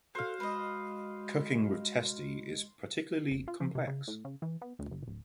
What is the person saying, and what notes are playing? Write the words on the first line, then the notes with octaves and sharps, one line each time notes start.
Cooking with "testi" is particularly complex.
F#4 A4 C5 F5
G#3 B4 D#5
F1
F4
F3
C3
C#3
A2
C#3
E3
B3
D2
G1
D1